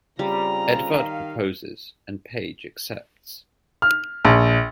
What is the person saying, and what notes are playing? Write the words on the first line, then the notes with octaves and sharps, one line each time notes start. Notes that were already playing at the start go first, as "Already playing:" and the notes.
Edvard proposes and Paige accepts.
C#3 G3 C4 F4 A#5
D#3 F5
F6
A#1